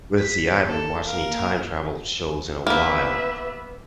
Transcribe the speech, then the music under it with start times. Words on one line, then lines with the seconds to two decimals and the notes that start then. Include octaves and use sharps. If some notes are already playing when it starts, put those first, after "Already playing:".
let's see, I haven't watched any time-travel shows in a while,
0.17 B6
0.66 A#3 A4
1.06 A#4 F5
2.67 A#3 B3 B4 E5